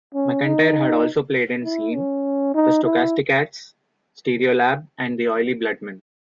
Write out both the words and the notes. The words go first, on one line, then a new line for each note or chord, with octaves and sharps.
McEntire had also played in Seam, The Stokastikats, Stereolab, and The Oily Bloodmen.
C#4
D#4
E4
C#4
D#4
E4